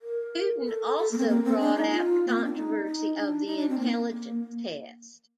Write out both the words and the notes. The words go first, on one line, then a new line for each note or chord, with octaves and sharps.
Hooton also brought out the controversy of the intelligence test.
A#4
A4
A4
A#3
C4
A#3
C4
D4
D#4
F4
A#3
C4
D4
D#4
D#4
D4
D#4
D4
C4
A#3